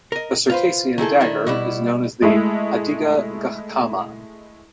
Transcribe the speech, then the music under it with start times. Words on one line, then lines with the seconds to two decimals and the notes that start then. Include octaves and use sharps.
The Circassian dagger is known as the "adigha gkama".
0.12 A#4 D#5
0.50 F4 B4 C5
0.98 D#3 E4 G#4 A4
1.21 D#3 A3 D4 E4
1.47 B2 G3 E4
2.22 G#3 A3 E4